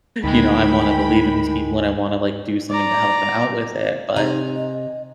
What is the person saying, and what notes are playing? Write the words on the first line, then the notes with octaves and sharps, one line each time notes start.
you know, I wanna believe in these people, and I wanna, like, do something to help them out with it. But
D2 G#2 D#3 G#3 A3 G5 B5
D5 A#5
C3 D#4 G#5 A#5
D#5